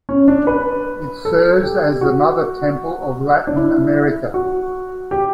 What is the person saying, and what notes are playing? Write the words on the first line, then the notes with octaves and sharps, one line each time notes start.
It serves as the mother temple of Latin America.
C#4
D4
B4
A4
G4
F#4
D4
E4
F#4
G4